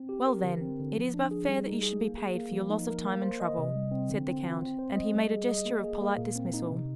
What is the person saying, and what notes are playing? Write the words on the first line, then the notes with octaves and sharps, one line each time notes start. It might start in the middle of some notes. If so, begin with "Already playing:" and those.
"Well, then, it is but fair that you should be paid for your loss of time and trouble," said the count; and he made a gesture of polite dismissal.
Already playing: C4
G4
A#4
D3
C4
D3
F3
D4
G#4
G3
D#4
G#4
A#3
G#4
A#3
F3
D#4
A#4
A#3
C5
D#5
C3
G3
C4
D3
C4
F4
C4
C5
D#5
G3
G#4
D#5
A#3
G#4
A#3
A#2
C4
D#4
C3